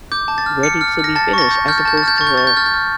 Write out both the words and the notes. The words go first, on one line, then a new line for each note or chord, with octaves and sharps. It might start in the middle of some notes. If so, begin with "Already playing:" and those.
ready to be finished, as opposed to a
D6 G6
A5
A6
F6
F6 C#7
F6
F6
A#6
A5 A6
C#6 A#6
A6
G6
F6 G6
A6
A5 G6
A6
F6 G6
C#6 A6
G6
C#6 A6
G6
F6 A6
G6
F6